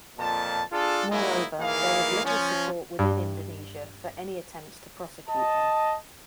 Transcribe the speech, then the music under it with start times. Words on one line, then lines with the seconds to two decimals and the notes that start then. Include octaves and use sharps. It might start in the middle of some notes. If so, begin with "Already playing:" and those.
Moreover, there was little support within Indonesia for any attempts to prosecute him.
0.19 F2 A#2 A5
0.72 D4 F4 G#4 A4
1.11 F#3 G#3 A#3 D#4 E4
1.60 D#2 E3 A#3 G#4 F5
2.25 F3 C#4
2.99 G2
5.29 D#5 A5